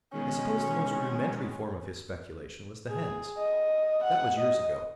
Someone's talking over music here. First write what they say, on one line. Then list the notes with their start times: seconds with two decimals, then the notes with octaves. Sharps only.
I suppose the most rudimentary form of his speculation was the hens. That was years ago.
0.13 B2 D#3 G#3 C#4
2.89 G#4
3.38 D#5
4.03 F#5
4.39 D#5